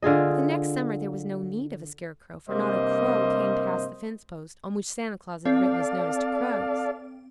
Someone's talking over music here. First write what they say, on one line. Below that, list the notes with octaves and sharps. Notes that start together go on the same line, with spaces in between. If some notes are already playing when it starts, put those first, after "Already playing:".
But the next summer there was no need of a scarecrow, for not a crow came past the fence-post on which Santa Claus had written his notice to crows.
D3 F4 G#4 D#5
G2 C3 G3 A#3 C5 D#5
C4 A4 D5 F5